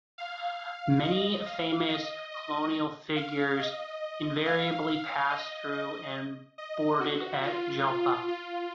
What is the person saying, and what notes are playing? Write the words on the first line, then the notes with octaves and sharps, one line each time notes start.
Many famous colonial figures invariably passed through and boarded at Joppa.
F5
D#5
F5
D#5
D#5
F5
D#5
F5
F5
D#5
D#5
D#5
F#4
F4
F4